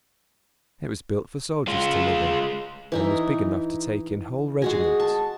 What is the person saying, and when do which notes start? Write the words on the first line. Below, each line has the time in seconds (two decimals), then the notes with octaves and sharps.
It was built for soldiers to live in, and was big enough to take in whole regiments.
1.68 G#3 F4
2.92 E3 D#4 E5
4.62 G#3 F#4 G#4
5.00 A5